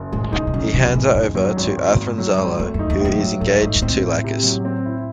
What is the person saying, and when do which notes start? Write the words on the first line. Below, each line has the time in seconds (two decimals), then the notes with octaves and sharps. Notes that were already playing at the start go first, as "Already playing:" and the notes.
He hands her over to Athrun Zala, who is engaged to Lacus.
Already playing: F#1
0.12 A2 G#3
0.32 C#3 D#4
0.47 C3
0.54 F#2 C#3
0.74 C3 E3
0.94 A2 G#3
1.15 F#2 D#4
1.35 F#3
1.57 G#1
1.77 G#1
1.98 G#2
2.18 F#3
2.38 G#1
2.59 E2 A3
2.74 F#2
2.79 D#4
2.90 E2
3.00 F#2 A2
3.20 F#3
3.41 A2 A3
3.61 G#2 D#4
3.76 G#2
3.82 A2 C4
4.03 E4
4.24 C3
4.43 F#3
4.65 C4
4.86 E4